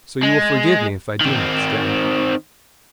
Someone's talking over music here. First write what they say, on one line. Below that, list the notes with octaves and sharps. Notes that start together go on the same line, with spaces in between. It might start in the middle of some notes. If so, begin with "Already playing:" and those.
"So you will forgive me if I do not stay."
G#3
D#3 C4